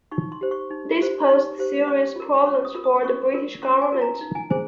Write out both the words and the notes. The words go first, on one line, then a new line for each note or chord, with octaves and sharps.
This posed serious problems for the British government.
D#4 C#6
C6
G4 C5
C#6
D#4
G4 C5
D#4 C#6
G4 C5
C#4 C#6
F4 A#4
C#4 C#6
D#6
F4 A#4
D#6
C#4 C#6
F4 A#4
C#4 C6
G#5
F4 A#4
A#5
D#4
G#5
G#4 C5 G#5